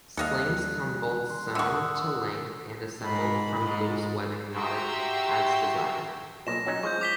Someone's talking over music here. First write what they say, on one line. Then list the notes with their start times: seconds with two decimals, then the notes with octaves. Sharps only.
Slings come both sewn to length and assembled from loose webbing knotted as desired.
0.17 D#2 G3 A4 D#5 F5 F#6
1.30 C6
1.55 D3 A#4 F#5 C#6 D#6 E6
3.03 G#2 B5
3.58 G#2
4.53 F#4 G4 E5 A#5 C6 E6
6.47 B1 A#2 A#6 E7
6.66 F#3 C#4 D#4
6.83 F3 G#3 C#6 G6
7.01 D6 B6 G7